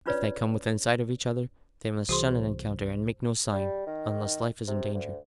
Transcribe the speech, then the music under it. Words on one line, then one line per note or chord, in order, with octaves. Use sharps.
If they come within sight of each other, they must shun an encounter, and make no sign--unless life is in danger.
C#4 D4 F4 B4 C#5 D5
C2 E3 F#4 G#4 C5 C6
G3
D#3
C3
D2